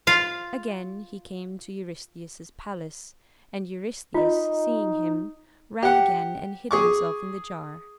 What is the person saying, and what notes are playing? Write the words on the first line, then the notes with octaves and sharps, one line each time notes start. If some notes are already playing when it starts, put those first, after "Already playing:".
Again he came to Eurystheus's palace, and Eurystheus, seeing him, ran again and hid himself in the jar.
F4 F5
D#4 F4 D#5
G4 F#5
G#4 C#6 D6